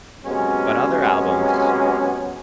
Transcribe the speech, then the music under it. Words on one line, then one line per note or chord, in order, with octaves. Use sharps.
But other albums,
C3 F#3 G#3 B3 C#4